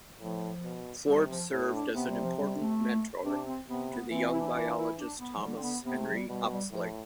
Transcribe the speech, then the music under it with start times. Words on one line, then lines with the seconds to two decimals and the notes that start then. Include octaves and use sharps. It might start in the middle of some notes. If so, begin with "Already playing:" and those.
Forbes served as an important mentor to the young biologist Thomas Henry Huxley.
0.20 A2 F3
0.63 B2
1.06 C3 G3
1.29 F3
1.51 A2
1.73 D4
1.94 C3 B3
2.09 G3
2.23 F3
2.38 G3
2.59 A3
3.24 C3 D4
3.46 C4
3.68 C3 B3
3.90 B3
4.11 E3 C4
4.33 E4
4.39 D4
4.47 E4
4.54 D4
4.76 E4
4.98 D4
5.19 B3
5.35 F3
5.41 D3 G3
5.56 C4
5.63 B3
5.85 C3 B3
5.99 A3
6.07 F3
6.13 G3
6.28 B2 G3
6.49 G3
6.71 A2 F3